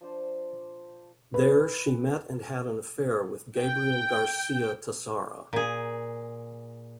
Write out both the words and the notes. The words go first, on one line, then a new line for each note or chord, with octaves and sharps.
There, she met and had an affair with Gabriel Garcia Tassara.
F3 D4 C5 D#5
B4
G5
A#2 G#4